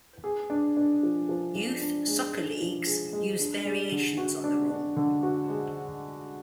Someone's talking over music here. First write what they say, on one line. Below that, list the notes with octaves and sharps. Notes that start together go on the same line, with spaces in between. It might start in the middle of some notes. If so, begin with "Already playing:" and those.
Youth soccer leagues use variations on the rule.
G#4
D4
D4
F3
F3
F3
D4
G#3
D4
F3
G#4
G#3
D4
G#3
D3
F#4
D4
D4
D3
F#4
G#3